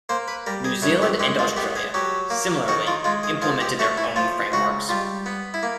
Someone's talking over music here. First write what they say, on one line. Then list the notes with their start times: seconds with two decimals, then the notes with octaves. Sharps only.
New Zealand and Australia, similarly, implemented their own frameworks.
0.09 A#3 C5
0.28 B4
0.46 G3 A#4
0.64 G#4
0.82 F#2 G#4
1.02 G4
1.19 G#3 G4
1.39 F4
1.57 B3 G4
1.76 G#4
1.94 F#3 G4
2.30 A#3
2.68 D#3 F#4
2.87 F4
3.04 G#3 F4
3.23 G#4
3.42 F3 G#4
3.61 G4
3.79 A3 F#4
3.97 E4
4.16 F3 F4
4.52 C#2 F#4
4.89 G3 F4
5.26 B3
5.54 E4
5.63 A#3